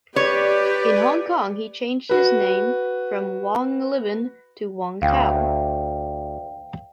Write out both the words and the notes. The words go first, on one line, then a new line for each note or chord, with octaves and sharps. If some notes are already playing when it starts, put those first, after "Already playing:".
In Hong Kong, he changed his name from Wang Libin to Wang Tao.
G4 B4 C#5 D5
F#4 B4
D2 F5 G5